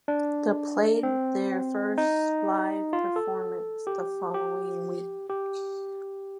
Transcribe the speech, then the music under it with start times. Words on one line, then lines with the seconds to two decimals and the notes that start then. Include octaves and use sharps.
The played their first live performance the following week.
0.08 D4
1.03 C4
1.98 D#4
2.93 F4
3.16 A4
3.87 G4
4.34 G4
5.30 G4